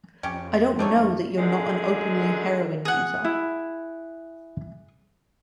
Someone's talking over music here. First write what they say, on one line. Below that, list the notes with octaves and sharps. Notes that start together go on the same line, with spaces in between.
I don't know that you're not an openly heroin user.
F2 C#4 G4
A3 C4 D4 D#4 C#5
F#2 D3 G#3 G#5
G#4 F#5
E4